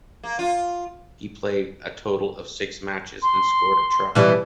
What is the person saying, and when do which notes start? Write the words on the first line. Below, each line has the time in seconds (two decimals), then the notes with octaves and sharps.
He played a total of six matches and scored a try.
0.23 A#3
0.39 F4
3.22 C6
4.15 B2 E3 G3